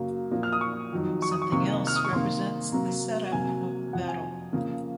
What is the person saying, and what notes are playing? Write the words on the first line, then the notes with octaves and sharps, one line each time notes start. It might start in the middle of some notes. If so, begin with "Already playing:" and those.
"Something Else" represents the setup of the battle.
Already playing: F#2 C#3 F#3 A#3
A#2 F3 A#3
F6
D#6
C#6
F2 D#3 F#3
C#6
D#6
C#6
C3 D#3 A#3 C#6
F6
D#6
C#6
C3 D#3 A#3 C6
C3 F#3 A#3 A#5
C3 F#3 A#3 G#5
F2 C3 F3 F#5
G#5
F2 C#3 F3 A#3